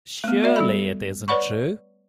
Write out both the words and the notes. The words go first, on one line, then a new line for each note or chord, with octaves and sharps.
Surely it isn't true?
A3 B3
F#4 D5 E5
G3 A4 B5
B4 C#5 D5 F#5 B5 C#6